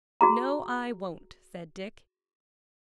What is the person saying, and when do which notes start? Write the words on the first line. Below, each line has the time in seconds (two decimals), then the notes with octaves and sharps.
"No, I won't," said Dick.
0.21 F#4 G#4 A#5